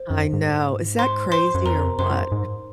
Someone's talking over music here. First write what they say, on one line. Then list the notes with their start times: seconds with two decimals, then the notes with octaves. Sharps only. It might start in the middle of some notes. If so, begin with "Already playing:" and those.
I know, is that crazy or what?
Already playing: C5
0.10 F#2
0.33 G#2
0.99 C5 C6
1.32 C5 C6
1.55 F#2
1.65 F2 A#4 A#5
1.99 F#2 C5 C6
2.32 G#2